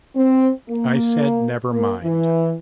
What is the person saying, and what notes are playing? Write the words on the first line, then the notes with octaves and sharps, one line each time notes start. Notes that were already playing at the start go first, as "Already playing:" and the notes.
I said “never mind”.
C4
A#3
A#3
E3